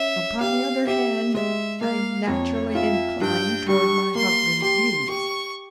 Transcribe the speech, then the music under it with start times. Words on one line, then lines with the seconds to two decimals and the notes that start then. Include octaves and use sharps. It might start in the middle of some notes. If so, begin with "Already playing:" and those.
Upon the other hand, I naturally incline toward my husband's views.
Already playing: C#4 E5
0.40 G4 F5
0.87 G4 E5
1.34 G#3 E5
1.81 A#3 F5
2.27 F2 C#5
2.74 F4 E5
3.21 G2 G5
3.68 G3 C#6
4.15 A#3 C6
4.62 G4 C6
5.09 G4 C#6